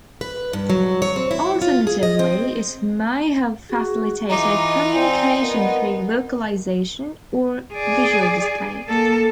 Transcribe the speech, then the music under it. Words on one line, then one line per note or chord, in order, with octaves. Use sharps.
Alternatively, it may have facilitated communication through vocalization or visual display.
B4
G2
F#3
C#5
C4
E4
F4
G#4
D#5
C4
F#4 G#4
E3 D#4 F4 D#5 A#5 D6
C4 C5 D5 G#5
B3 A#4 D#5
G#4 D5
A#3 A4